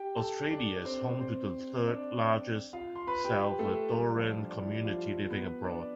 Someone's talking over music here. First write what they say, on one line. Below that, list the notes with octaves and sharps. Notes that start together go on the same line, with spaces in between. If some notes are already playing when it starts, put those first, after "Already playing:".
Australia is home to the third largest Salvadoran community living abroad.
Already playing: G4 G5
A4 A5
D4 D5
C4 C5
C4 C5
D4 D5
F4 F5
C6
B4 B5
G4 G5
A3 A4
G3 G4
F3 F4
D4
E4
F3 F4
B3 B4
D4 D5